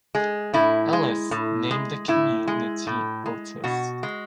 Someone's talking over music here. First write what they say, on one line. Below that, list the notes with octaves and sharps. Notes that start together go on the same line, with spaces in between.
Ellis named the community Otis.
G#3
A2 E4
G#3
A2
G#3
A2 E4
G#3
A2
G#3
B2 F#4
G#3